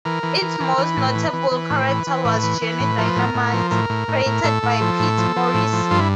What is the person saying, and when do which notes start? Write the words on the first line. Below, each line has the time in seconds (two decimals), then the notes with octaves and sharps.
Its most notable character was Johnny Dynamite, created by Pete Morisi.
0.05 E3 A#4
0.23 E3
0.42 E3
0.60 E3
0.78 E3 B4
0.97 A2
1.15 E3
1.33 E3
1.51 E3
1.70 A2
1.89 E3
2.07 E3
2.25 A2 B4
2.43 E3
2.62 E3
2.80 A2
2.98 F3 A#4
3.08 B4
3.16 A2 A#4
3.35 A2
3.53 F3
3.71 A2 A#4
3.90 A2
4.08 A2
4.26 A2
4.44 A2 A4
4.63 A2
4.81 F3
5.00 A2
5.18 F3
5.36 F3
5.54 A2
5.73 F3
5.91 G2 F4
5.99 E4